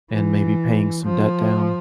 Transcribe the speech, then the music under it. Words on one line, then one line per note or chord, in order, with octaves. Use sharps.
and maybe paying some debt down.
E3
F3